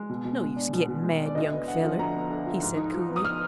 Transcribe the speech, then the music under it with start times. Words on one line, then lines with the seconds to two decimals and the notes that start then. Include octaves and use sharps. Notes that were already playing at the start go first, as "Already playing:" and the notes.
"No use gittin' mad, young feller," he said coolly.
Already playing: G#3
0.09 B2
0.25 B2
0.41 G#3
0.56 D4
0.73 B2
0.88 B2
1.04 G#3
1.20 D4
1.26 D5
1.35 D2 D#5
1.52 B3
1.67 D3 F#5
1.83 F3
1.99 D2 A#5
2.14 B3
2.30 D3
2.46 F3
2.62 G#2
2.77 D#4
2.94 F3
3.09 B3
3.16 D#6
3.25 F6